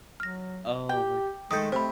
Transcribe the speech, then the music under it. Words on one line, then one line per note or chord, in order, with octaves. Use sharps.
Oh we're g
F#3 F6 A#6
G4 G5
D#3 G#3 A3 A4 D#6 G6
C3 A3 C5 B5